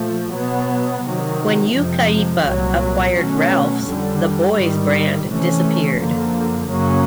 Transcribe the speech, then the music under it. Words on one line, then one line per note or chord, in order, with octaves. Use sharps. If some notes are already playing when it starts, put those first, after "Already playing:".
When Yucaipa acquired Ralphs, the Boys brand disappeared.
Already playing: A#2 F3 A3
B2 F#3 B3
C3 D#3 F#3
F2 C3 F3 G#3
C2 A#2 F#3
B2 F#3 A3 C#4
F2 D3 G3
G#2 D#3 G3
C3 E3 A3 C#4
F#2 D3 F3 A#3
F#2 C#3 F#3 A#3 C#4